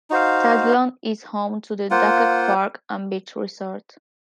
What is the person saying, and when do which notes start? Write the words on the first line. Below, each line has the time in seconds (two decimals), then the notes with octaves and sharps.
Taguilon is home to the Dakak Park and Beach Resort.
0.10 D#4 F#4 C5 F5
1.90 A#3 F4 C5 F#5